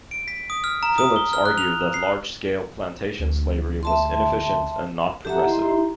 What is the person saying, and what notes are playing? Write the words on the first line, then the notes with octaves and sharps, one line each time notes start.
Phillips argued that large-scale plantation slavery was inefficient and not progressive.
D7
B6
D#6
F6
A#5
D#6
G7
F6
F#6
F7
C7
D2
E5 A5 C6
G4 A4 E5 F#5 A#5
D#4 E4 C6